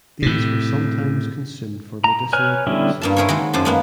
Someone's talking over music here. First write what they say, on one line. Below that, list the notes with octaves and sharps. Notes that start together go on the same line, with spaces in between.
These were sometimes consumed for medicinal purposes.
A2 C3
A#5
B4 C#5 G#5 F6
D3 G3 B3 C#4 E4
G2 A#3 A5
E4 G#4 A#4 C5 C#5
D#3 F#3 G#3
F#2 G#4 C5 A5
G#3 A#3 B3